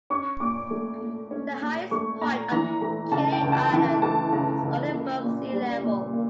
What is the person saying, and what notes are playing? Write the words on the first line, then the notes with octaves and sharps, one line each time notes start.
The highest point of Kili Island is only above sea level.
C#4 C#6
A#2 D6
A3
A#2
C#4
A#2
A3 C#6
A#2 A#5
E3 A#5
A3 A#5
C#3 A5
G5
C#2
A5
E3 G5
A3 A5
C#3 A#5
C#2
A#3
A#2
G3
A#2
A#3